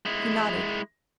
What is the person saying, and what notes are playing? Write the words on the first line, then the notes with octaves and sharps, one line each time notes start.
He nodded.
G#3 E4